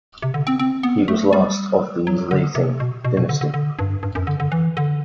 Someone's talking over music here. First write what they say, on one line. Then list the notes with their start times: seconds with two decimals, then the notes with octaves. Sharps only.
He was the last of the Lething Dynasty.
0.22 C3
0.34 D3
0.47 C4
0.59 C4
0.83 B3
1.08 A3
1.33 G3
2.07 F#3
2.31 D3
2.55 C3
2.80 B2
3.05 B2
3.17 B2
3.29 D3
3.41 D3
3.54 D3
3.79 G2
4.03 G2
4.15 F#2
4.27 D3
4.40 D3
4.52 E3
4.77 D3